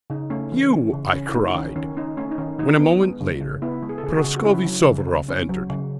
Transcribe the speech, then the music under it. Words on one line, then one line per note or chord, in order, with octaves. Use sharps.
"You?" I cried, when a moment later Prascovie Souvaroff entered.
C#3 D#4
A3 C#4
E3
C#4
C#3
C#4
E4
A3 D#4
D#3 C#4
D#3 C#4
C#4 D#4
A3 C#4
D#4
D#3 C#4
D#3 D#4
B3
G#3
C#3
C#3
B3 E4
G#3
G#4
A4
C#3 G#4
F#4
C#3
F#4
C#4 E4
F#3
C#3
C#3
C#4
F#3
C#3